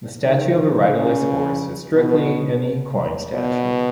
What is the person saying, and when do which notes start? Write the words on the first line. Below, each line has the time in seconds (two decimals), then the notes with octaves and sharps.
A statue of a riderless horse is strictly an "equine statue".
0.23 D#3
0.92 C#3
1.95 B2
3.33 B2